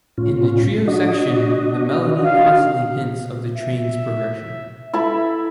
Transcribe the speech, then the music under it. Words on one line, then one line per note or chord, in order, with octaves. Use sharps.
In the trio section the melody constantly hints of the train's progression.
A2 C#4 F4
D4 F#4 D#5
F5
E5
E4 A4 B5